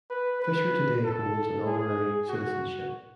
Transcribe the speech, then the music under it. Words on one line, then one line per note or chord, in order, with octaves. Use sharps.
Fischer today holds an honorary citizenship.
B4
B4
A4
G#4
F#4